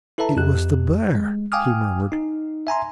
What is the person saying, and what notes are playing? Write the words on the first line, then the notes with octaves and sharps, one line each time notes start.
"It was the bear," he murmured.
E4 A4 B4 E5 A5 A#5
F2 G4 F#6
G#3
F5 G5 G#5 D6 D#6 F6
D#4
E5 G#5 A#5 C6